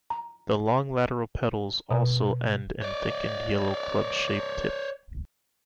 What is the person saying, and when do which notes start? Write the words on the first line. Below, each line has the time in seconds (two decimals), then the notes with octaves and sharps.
The long, lateral petals also end in a thickened, yellow club-shaped tip.
0.10 A#5
1.91 B2
2.82 C#5 D5